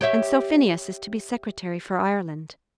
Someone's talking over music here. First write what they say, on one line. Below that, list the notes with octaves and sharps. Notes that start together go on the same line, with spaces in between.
And so Phineas is to be Secretary for Ireland!
G4 C#5 E5